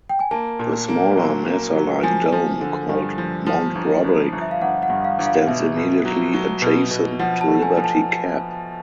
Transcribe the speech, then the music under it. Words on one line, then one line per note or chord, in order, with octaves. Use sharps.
A smaller, mesa-like dome called Mount Broderick stands immediately adjacent to Liberty Cap.
G5
G#5
A#3 A5
A#2
A#3
F#3
A#3
F#3
F3 G#5
F3
D3
G2
F3
F3
G1
G1
G1
E5
F5
G1 F#5
F#5
G2
F5
G1
F5
B2 E5
B2
F#3
F#3
B2
B2
F3 F#5
A5
A3
G#5
F3
A5